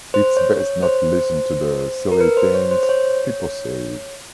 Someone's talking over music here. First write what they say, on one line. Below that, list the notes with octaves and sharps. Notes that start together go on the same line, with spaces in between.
It’s best not to listen to the silly things people say.
C5
C#5
C#5
C5
A#4
B4
C5
C#5
C5
C5
C#5